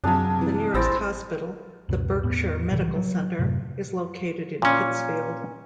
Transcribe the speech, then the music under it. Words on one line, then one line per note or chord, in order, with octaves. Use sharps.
The nearest hospital, the Berkshire Medical Center, is located in Pittsfield.
F#2 C3 F#3 D4 G#4 F5
C3 E3
A1 C4 E4 G5 E6 A6 A#6
C#2 F#2 B2
E2 A2 B3
C2 A2 C#3 E3
F#3
F#2 A2 C3 A3
A#2 C#4